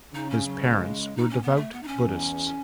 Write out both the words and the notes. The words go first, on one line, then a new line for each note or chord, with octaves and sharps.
His parents were devout Buddhists.
C#3 D#4
C#4
F#3
G#3
D#4
C#4
B3
A3
B3
D#4
C#4
E2